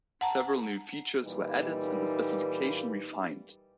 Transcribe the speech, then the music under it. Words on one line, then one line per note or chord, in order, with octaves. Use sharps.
Several new features were added and the specification refined.
F#5 A5 A#5
A#2 E3 G3 D#4